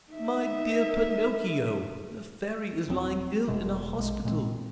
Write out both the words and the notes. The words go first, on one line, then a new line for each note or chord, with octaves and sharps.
"My dear Pinocchio, the Fairy is lying ill in a hospital."
D#4 E5
D#1 G2 F#3 C4
F1 B2 G#3 A3
A#1 G#3
A#2 G#3 C4